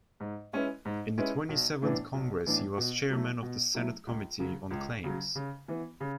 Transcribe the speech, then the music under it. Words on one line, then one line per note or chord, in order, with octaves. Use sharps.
In the Twenty-seventh Congress he was chairman of the Senate Committee on Claims.
G#2
G#3 C#4 E4 B4
G#2
G#3 C#4 E4 B4
B1
A2 E3 B3 D4
B1
A2 E3 B3 D4
B2
F#3 A3 E4
B2
F#3 A3 E4
C#2
C#3 F#3
C#2
C#3 F#3
C#3
E3 B3
C#3